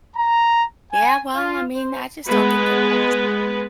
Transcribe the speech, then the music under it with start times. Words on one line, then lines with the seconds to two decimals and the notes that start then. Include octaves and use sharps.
Yeah, well, I mean, I just don't think that that's
0.15 A#5
0.91 G#5
1.35 F4
1.73 C5
2.27 G#3 B3 B4